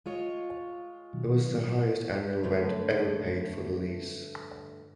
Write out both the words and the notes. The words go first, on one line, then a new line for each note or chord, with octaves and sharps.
It was the highest annual rent ever paid for the lease.
G#3 F4 C#5
B2 D#3 F#3
G2 D3 F3 A3 C#5